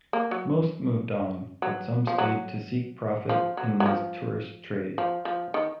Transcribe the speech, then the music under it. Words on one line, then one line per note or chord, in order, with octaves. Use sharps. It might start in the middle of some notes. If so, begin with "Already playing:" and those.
Most moved on, but some stayed to seek profit in the tourist trade.
A#3
F#3
F#3
F3
F#3
F3
F#3
F#3
F3
F3
F3
D#3